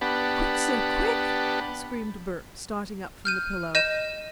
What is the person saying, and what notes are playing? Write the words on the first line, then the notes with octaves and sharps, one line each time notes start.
"Quick, sir--quick!" screamed Burke, starting up from the pillow.
B3 D4 G4 F#5 A5 B5
F6 G6 D#7
D#5 G6 D#7 E7